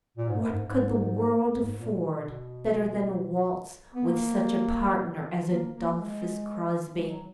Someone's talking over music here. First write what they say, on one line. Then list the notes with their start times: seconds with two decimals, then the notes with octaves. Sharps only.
What could the world afford better than a waltz with such a partner as Adolphus Crosbie?
0.17 A#2
0.29 G#2
0.39 F#2
0.50 G#2
0.66 G#2
1.57 F#2
1.63 G#2
1.79 A#2
2.11 B2
3.95 B3
4.05 A#3
5.50 A#3
5.74 A#3
5.98 G#3
6.95 G#3
7.08 F#3